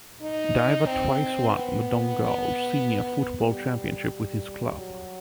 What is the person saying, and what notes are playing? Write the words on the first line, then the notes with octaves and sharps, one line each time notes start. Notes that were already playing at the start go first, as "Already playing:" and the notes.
Diver twice won the Donegal Senior Football Championship with his club.
D#4
C4
B3
G3
G3
F#3